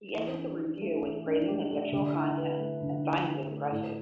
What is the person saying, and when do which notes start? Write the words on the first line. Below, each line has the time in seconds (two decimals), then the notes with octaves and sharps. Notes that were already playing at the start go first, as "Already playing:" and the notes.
He ended the review with praising the textual content and finds it impressive.
0.14 E3
0.36 D4
0.59 G4
0.81 A3
1.03 E3
1.26 D4
1.48 G4
1.71 A3
1.92 D3
2.15 E4
2.37 B4
2.60 A3
2.82 D3
3.05 E4
3.27 B4
3.49 A3
3.71 A2